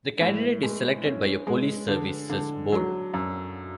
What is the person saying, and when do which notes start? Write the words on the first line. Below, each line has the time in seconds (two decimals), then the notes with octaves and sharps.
The candidate is selected by a police services board.
0.21 A2
0.63 G#3
1.05 C#4
1.47 G#3
1.88 D3
2.30 D3
2.72 F#3
3.14 F#2